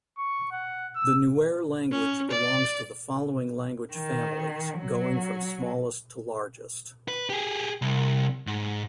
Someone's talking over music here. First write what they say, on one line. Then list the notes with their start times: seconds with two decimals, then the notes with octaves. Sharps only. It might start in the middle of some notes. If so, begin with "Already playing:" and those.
The Nuer language belongs to the following language families, going from smallest to largest.
0.18 C#6
0.52 F#5
0.96 E6
1.92 C#4
2.31 D5
3.94 D#3
4.79 F#3
7.08 B4
7.30 G4 G#4
7.82 C2
8.47 G#2